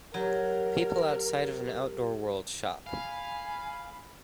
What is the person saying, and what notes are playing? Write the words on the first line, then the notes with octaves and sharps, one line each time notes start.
People outside of an Outdoor World shop.
F#3 G4 A#4
F5 G#5 B5